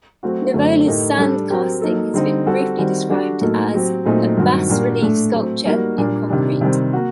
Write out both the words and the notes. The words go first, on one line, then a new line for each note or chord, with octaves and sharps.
Nivola's sand casting has been briefly described as a bas-relief sculpture in concrete.
F#3 A3 C4 F#4
F#2 D3 F#3 A3 C4
A2 A3 D#4 G4 A#4
G3 D4 A4
F#3 C4 G4 A#4
F#3 A#3 D#4 A4
D3 G3 C4 D#4
G3 C4 F#4 A4
D#3 G3 C4 F#4
G3 D4 F#4 A4
A2 F#3 A#3 D#4 A4
F#3 C4 G4
A#2 F#3 A3 C4 D#4
G2 D#3 F#3 C4 F#4
A#2 G3 A#3 D4 F#4
A2 A3 D4
F#3 A3 C4
G3 A#3 D#4 F#4 A#4
A#2 G3 A#3 D4
C3 D#3 G3 D4
C3 D#3 G3 C4
A#3 F#4